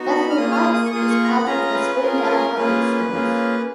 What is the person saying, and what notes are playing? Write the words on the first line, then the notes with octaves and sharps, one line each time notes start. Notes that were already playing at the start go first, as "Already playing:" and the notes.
Bethel Heights is part of the Springdale Public Schools.
Already playing: B3 D#4 F#4
B5
F6
A#3 F4 G#4 D#6
F6
D#6
D#6
C#6
A#3 F4 G#4 D#6
C#6
A#5
B5
C#4 F4 G#4 A#5
B4
C#4 F4 G#4 A#4
B4
A#4
A#3 C#4 F4 G#4 B4
A#3 C#4 F4 G#4